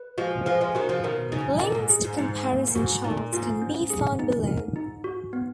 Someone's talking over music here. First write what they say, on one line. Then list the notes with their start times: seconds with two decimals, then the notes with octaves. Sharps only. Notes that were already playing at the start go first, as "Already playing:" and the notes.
Links to comparison charts can be found below.
Already playing: B4
0.18 F3 G#3 F#4
0.46 F3 G#3 B4
0.61 F3 G#3
0.75 D#3 F#3 F#4
0.89 C#3 F3
1.03 B2 D#3 A#4
1.32 C#3 D#4
1.61 A#2 D#5
1.75 G#2
1.90 G#4
2.04 G#2
2.18 G#2 D#4
2.47 A#3
2.67 F#2
2.75 G#2 F#4
3.04 A#2 D#4
3.33 G#2 F4
3.62 C#4
3.90 G#4
4.19 D#4
4.48 A#4
4.76 D#4
5.04 F#4
5.33 B3